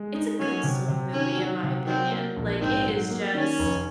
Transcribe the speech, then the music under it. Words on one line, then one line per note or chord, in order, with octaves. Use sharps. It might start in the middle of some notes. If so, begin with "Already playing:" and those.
it's a good soul movie in my opinion, like, it is just
Already playing: G#3
D#4
F#3 C#4
C3
C3
D#3 C#4
F#3
C3
D#3 F#3 C4
A#3
A#1
G#2 D#3 C4
F#3
A#3
D#3 C#4
F1